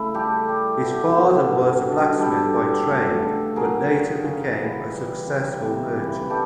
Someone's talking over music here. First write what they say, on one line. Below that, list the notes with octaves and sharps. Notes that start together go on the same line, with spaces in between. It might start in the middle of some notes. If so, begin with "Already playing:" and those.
His father was a blacksmith by trade, but later became a successful merchant.
Already playing: C#3 A3 E4
G3 G4 A4
G3
B2
B2
G2
D3
G3 G4 A4
G2
A3
C#3
F#3 G#4 A#4
F#2
C#3
E3
G3
C#3
C3
E3
G3 G4 A4